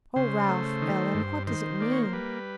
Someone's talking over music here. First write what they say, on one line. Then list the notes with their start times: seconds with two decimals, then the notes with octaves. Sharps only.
"Oh, Ralph--Ellen--what does it mean?"
0.16 C#3 C5
0.49 A3
0.81 D#3
1.14 G2
1.47 D#3 C5
1.80 A#3 D5
1.92 C#5
2.03 C5
2.13 G3 B4